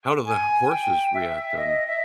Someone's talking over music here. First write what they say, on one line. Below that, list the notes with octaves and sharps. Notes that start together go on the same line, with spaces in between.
how do the h horses react, um
G#5
G5
E5
D#5
E5